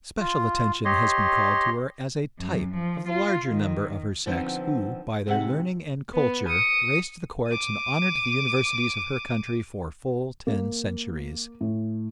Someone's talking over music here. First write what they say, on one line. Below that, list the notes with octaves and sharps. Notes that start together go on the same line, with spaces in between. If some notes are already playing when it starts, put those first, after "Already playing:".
Special attention has been called to her as a type of the large number of her sex who, by their learning and culture, graced the courts and honored the universities of her country for full ten centuries.
F4
G4 C#5 D#5 C6
F#2
F3
F4
D#3
D3 F3 B3 C4 D#4
G#2 C3 E5 F#5
B3
D#6 C#7
D6 D#7
A#3
A2